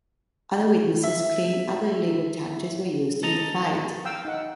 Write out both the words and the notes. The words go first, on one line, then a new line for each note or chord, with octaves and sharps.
Other witnesses claimed other illegal tactics were used in the fight.
E5
E4
A4 D#5 A#5
F5 G5 E6
D#4 F#5